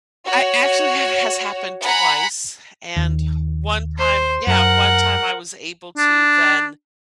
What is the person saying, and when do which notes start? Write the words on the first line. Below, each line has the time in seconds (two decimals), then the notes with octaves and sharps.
I, actually, that has happened twice, and one time yeah, one time I was able to then,
0.24 F#4 C#5
1.82 F#5 G#5 A#5 B5
2.97 D#2
3.98 C5
4.47 F#2 A#4 F#5
5.98 D4